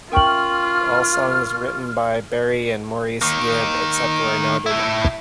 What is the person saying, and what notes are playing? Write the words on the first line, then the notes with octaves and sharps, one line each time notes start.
All songs written by Barry and Maurice Gibb, except where noted.
C#4 F4 A#4 E5 G5 C#6 F6 F#7
D#3 A#3
A2 E4